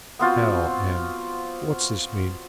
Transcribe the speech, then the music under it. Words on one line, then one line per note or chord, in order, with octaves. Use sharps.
"Hell and--What's this mean?"
B3 C4 F4 F#4